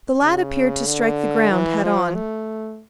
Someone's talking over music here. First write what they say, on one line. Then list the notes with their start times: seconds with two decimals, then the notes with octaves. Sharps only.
The lad appeared to strike the ground head-on.
0.22 C#3
0.86 D3
1.51 E3
1.83 F3
2.15 A3